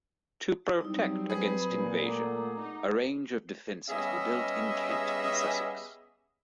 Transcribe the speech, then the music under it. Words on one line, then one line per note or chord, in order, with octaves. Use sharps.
To protect against invasion, a range of defences were built in Kent and Sussex.
F#3 G3 C4 D#4 E4
G#4 B4 B5
A#2
A3 F#5 A#5 D6
D#4
G3 B3 C#4 G#4 D#5 E5